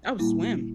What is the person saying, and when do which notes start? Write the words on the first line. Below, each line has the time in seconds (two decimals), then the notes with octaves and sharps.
Oh, swim.
0.19 A#2 G3 A#3 E4